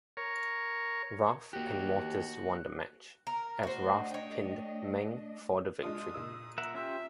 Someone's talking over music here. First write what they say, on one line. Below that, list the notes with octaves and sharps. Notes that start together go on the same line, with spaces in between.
Wrath and Mortis won the match, as Wrath pinned Meng for the victory.
A#4 C#5
A#3 F#4 G4
A#4
A3 D4 F#4 C5 D#5
C#5 G5
G#3 D4 F4 D#6
A#2 A#3 E6
A#4 E5 F#5
C#4 F4 G4 E5